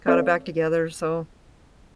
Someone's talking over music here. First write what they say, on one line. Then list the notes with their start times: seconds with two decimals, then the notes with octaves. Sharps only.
got it back together, so
0.08 C4 A4 C#5 D5 E5 F5